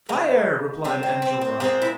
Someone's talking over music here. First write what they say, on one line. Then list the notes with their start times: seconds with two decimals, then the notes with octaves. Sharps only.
"Fire!" replied Enjolras.
0.09 C#3 F3 G#3 A#3
0.84 C3 G3 C4
1.03 C4
1.22 C4
1.41 C4
1.60 A#2 F3 G#3 C4
1.82 E4